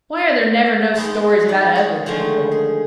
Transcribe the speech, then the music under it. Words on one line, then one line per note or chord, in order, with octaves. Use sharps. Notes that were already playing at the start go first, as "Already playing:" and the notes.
"Why are there never no stories about ugly people?"
G#3 B3 D#4
D#4 D5
G#4 C#5
D3 D#3 F3 G#3 A3
G#4